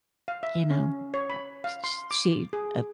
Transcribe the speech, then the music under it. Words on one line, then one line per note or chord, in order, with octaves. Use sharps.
you know, uh, sh sh she a
F5
E5
C#4
C#5
B5
F5
C6
D6
G#4